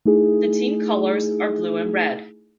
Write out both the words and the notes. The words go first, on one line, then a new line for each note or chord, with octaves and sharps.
The team colours are blue and red.
A3 D#4 E4 G#4